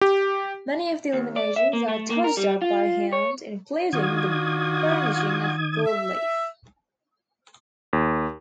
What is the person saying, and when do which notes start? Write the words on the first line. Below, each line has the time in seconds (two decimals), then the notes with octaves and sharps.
Many of the illuminations are touched-up by hand, including the burnishing of gold leaf.
0.01 G4
1.13 D#2
1.36 D5
1.56 E5
1.73 A#3
1.88 A3
2.10 A#3
2.24 A#4
2.37 G3
2.62 F4
3.13 C#5
3.93 D#3 D4 F4 F#4 D#6 G#6
5.85 E5
7.93 D#2